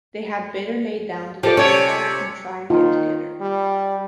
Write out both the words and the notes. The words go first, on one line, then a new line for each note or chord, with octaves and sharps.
They had better lay down the tomahawk and try and get together.
F3 G4 A4 D5
C3 C#4 C#5
D#3 F4
G3